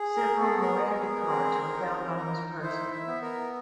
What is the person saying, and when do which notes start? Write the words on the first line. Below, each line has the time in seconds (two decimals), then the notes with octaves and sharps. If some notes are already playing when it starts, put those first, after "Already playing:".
Several Miranda cards were found on his person.
Already playing: G#4
0.16 A#4
0.39 B3 A4
0.62 A#4
0.84 G#4
1.29 C4
1.74 D#4
2.18 D#4
2.63 E4 C5
2.92 E5
3.07 B3
3.22 A#4